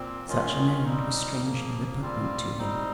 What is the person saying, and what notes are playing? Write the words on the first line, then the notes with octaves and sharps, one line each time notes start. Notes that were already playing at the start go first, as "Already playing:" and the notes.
Such an errand was strangely repugnant to him.
Already playing: A#2 C4
D#3 G#3 C#4 F4
A#2 G3 C4 D#4
C#3 F3 A#3
A#2 G3 C4 F4
G3 C4 D#4